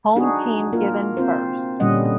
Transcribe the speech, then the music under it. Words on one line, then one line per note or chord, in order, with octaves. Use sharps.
Home team given first.
D4 D#4 F#4 G#4
A#3 F4 A#4
C4 F4 C5
A#2 D3 G3 C#4 D#5 F#5